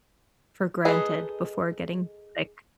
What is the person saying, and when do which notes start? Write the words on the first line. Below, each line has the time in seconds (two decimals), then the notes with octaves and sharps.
for granted before getting sick.
0.85 G#3 D#4 G#4 A4 B4